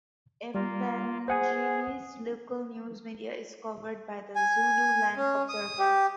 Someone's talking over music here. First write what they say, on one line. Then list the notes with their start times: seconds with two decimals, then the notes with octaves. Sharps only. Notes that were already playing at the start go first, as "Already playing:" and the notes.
Empangeni's local news media is covered by "The Zululand Observer".
0.55 G3 A#3 F4
1.28 G#4 C5 F#5 G#5
4.36 G#5
5.17 C#4
5.49 D#6
5.79 G4